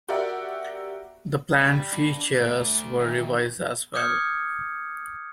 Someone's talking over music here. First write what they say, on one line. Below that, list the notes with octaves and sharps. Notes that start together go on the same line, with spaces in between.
The planned features were revised as well.
F#4 G4 A#4 D5 E5 F#5
G3
D4 B5
A3 D5
D#3 E3
D6 D#6 F6 G6 G#6 C#7